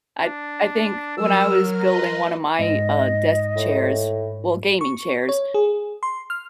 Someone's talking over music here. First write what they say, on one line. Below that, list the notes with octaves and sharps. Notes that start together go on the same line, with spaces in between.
I I think when I was building one of my, uh, desk chairs well, gaming chairs,
D4
F#3 A#4 E6 F6
B4 D#5 A#5 C6
G#2 C4 D#5
A2
C#6
C#5
G#4
C6
F6